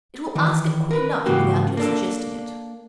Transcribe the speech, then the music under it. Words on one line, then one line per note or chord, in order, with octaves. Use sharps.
It will ask it quick enough without your suggesting it.
D#3 E3
A#4 B4
G#2 C#3 E3 A#3 F#4 G4
A#3 D4 A4